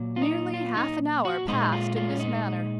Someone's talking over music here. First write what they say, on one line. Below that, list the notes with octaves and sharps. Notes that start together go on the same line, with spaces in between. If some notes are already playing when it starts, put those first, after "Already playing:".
Nearly half an hour passed in this manner.
Already playing: A#2 F#3 A#3
F4
D#4
F4
D#4
F#4
A#2 G#3 D#4
F4
F4
C#4
D#4